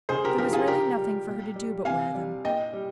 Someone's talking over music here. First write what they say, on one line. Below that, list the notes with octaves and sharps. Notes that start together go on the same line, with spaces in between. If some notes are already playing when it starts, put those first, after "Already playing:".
There was really nothing for her to do but wear them.
C#3 G#4 C5
G4 A#4
F3 G4 A#4
F4 G#4
C#3 G4 A#4
G3
A#2
G3
C3 F5 G#5
G3
A#2 D#5 G5
G3